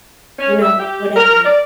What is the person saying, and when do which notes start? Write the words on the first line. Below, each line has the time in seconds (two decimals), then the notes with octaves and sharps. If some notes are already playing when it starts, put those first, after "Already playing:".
you know, whatever.
0.38 C#4
0.61 E5
0.78 G4
1.16 A#4
1.44 D5